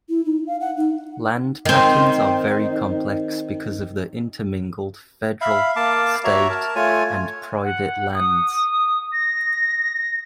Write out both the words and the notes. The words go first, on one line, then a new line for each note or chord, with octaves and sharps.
Land patterns are very complex because of the intermingled federal, state, and private lands.
E4
D#4
F5
F#5
D#4
D#3 C4
E5 F5 B5
A#3 F5 A5 D6
F#4 C#5 E5 A#5
A#4 A5
A3 F4 C#5 G#5
F#5
D#6
A#6